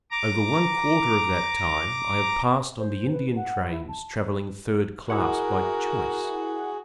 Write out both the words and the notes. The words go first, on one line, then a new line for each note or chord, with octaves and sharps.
Over one quarter of that time I have passed on the Indian trains travelling third class by choice.
A#5 D6
C5
B4
F#5
E4
A5
E4 F#4 G#4 A#4 F#5